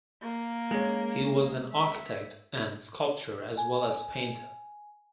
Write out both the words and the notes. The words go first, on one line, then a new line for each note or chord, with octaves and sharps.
He was an architect and sculptor as well as painter.
A#3
G#3 C#4
E5
G#5